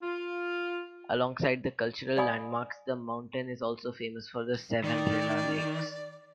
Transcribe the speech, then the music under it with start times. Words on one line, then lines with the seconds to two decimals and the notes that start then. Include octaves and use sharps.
Alongside the cultural landmarks the mountain is also famous for the Seven Rila Lakes.
0.02 F4
2.17 D5 D#5 F5 G#5 B5 D#6
4.84 D#3 D5